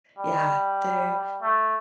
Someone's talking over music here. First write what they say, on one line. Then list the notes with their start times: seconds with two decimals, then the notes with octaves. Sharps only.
yeah, they're
0.17 G3
1.43 A3